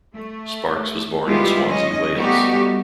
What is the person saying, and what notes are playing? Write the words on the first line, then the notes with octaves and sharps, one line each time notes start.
Sparkes was born in Swansea, Wales.
A3
G3 G#3 B3 E4 F4 G4
F#3 C#4 D#5
G3 A3 B3 D#4 F#4 G4